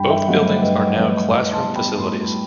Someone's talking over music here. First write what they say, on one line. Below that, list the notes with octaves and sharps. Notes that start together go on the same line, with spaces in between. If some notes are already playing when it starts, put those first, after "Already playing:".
Both buildings are now classroom facilities.
Already playing: G2 G5 B5
E5 G5
F#3 A3 D#5 F#5
C5 E5
G2 B4 D#5
F#3 A3 B4 D#5
A2 B4 D#5
A5 C6
G3 B3
G5 B5
A2 A5 C6